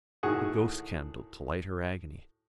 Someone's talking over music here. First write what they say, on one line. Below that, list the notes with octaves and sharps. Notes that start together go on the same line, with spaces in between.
The ghostcandle to light her agony.
A2 D#3 F#4 G#4 F#5